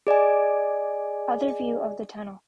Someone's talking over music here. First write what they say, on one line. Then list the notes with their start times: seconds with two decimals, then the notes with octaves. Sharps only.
Other view of the tunnel.
0.07 G#4 D5 D#5 G#5